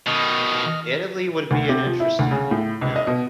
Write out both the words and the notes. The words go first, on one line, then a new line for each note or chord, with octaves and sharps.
Italy would be an interesting one, yeah.
B2 D#3 D#5 F6
D2
C3
F3
E4
D2
C#3
A2
C#2
D#5
B2